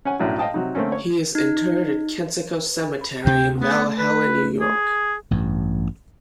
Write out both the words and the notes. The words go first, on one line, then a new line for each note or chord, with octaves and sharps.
He is interred at Kensico Cemetery in Valhalla, New York.
C#4 F#5 G#5
B1 F#2 A2 F#3 D4 E4
D#5 F5 G5 A5 D#6
C3 F#3 D#4
D3 A3 A#3 C4 C#4
C#5
D#4
D2 C3 G5
A3 B3
B4
G#4
A1 G2